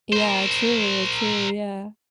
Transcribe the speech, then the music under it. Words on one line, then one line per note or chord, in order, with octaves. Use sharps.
Yeah, true, true, yeah.
A#4 C5